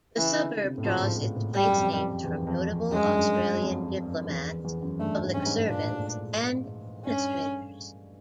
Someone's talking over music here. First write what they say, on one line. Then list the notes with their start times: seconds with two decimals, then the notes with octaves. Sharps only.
The suburb draws its place names from notable Australian diplomats, public servants and administrators.
0.16 C#3 E3
0.39 D3
0.62 C3
0.78 A2
0.85 G#2 F3
1.03 A2
1.15 A2
1.20 A#2
1.37 A2
1.55 G3
1.65 F#2
1.78 F2
2.24 E2
2.47 F2
2.69 F2
2.92 F#2 G#3
3.04 G2
3.17 F#2
3.61 F2
4.25 F2
4.30 E2
4.65 E2
4.82 F#2
4.99 G2 A3
5.22 G#2
5.34 G2 C#4
5.46 G#2
5.68 A#2 D4
5.79 A2
5.89 G#2
6.00 A2
7.06 G2 C#4